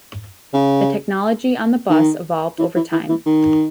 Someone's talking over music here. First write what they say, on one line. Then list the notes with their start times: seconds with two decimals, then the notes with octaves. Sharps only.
The technology on the bus evolved over time.
0.53 C#3
1.89 D#3
2.59 E3
2.76 E3
2.92 E3
3.09 E3
3.26 D#3